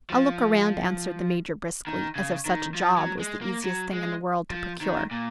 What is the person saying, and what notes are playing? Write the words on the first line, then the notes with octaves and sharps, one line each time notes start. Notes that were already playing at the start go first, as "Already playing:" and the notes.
"I'll look around," answered the Major, briskly, as if such a "job" was the easiest thing in the world to procure.
F3
D#3
C#3
D#3
F3
F#3
G#3
A#3
F#3
G#3
F3
D#3
A#2